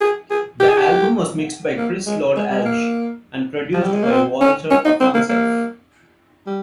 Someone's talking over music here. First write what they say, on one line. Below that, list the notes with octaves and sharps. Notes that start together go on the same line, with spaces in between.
The album was mixed by Chris Lord-Alge and produced by Walter Afanasieff.
G#4
G#4
G4
G#4
G4
A#3
G#3
G#3
G3
G#3
A#3
F3
G3
G#3
A#3
C4
C#4
C#4
D#4
C4
A#3
A#3
G3